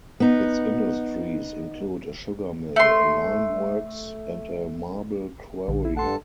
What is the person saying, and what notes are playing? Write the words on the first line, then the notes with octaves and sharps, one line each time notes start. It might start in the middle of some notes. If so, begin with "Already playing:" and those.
Its industries include a sugar mill, a lime works and a marble quarry.
B3 D#4
A3 C6
A#1 D3
E4
G2 A4 F#5 A5 C6